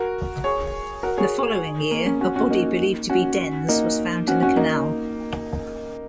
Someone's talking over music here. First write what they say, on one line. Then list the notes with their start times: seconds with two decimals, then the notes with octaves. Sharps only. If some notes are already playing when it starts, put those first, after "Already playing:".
The following year, a body believed to be Den's was found in the canal.
Already playing: F#4 A#4
0.44 G#4 C#5
1.03 F#4 A#4
1.18 G#4 C#5
1.91 A#3
2.06 C#4
2.21 C#4 F#4
2.36 C#4 F#4
2.50 A#3 D#4
3.10 C#4 F#4
3.69 A#3 D#4
4.28 C#4 F#4
4.42 C#4 F#4
4.57 A#3 D#4